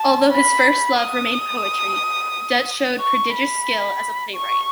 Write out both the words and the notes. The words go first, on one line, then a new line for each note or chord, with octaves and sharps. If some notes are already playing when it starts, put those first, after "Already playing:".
Although his first love remained poetry, Dutt showed prodigious skill as a playwright.
Already playing: A5
B5
D#6
C#6
B5
C#6